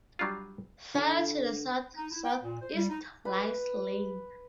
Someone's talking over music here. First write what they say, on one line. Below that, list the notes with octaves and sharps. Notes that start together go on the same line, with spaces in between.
Farther to the south-southeast lies Lane.
F#3 G3 D4 F4
D3 A4
D#4
E4
G5
A#2
C5
G3
D#4
B4